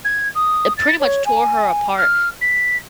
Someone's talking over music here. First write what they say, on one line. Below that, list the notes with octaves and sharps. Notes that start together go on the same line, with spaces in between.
it pretty much tore her apart.
G#6
D#6
A6
C#5
G#5
F6
B6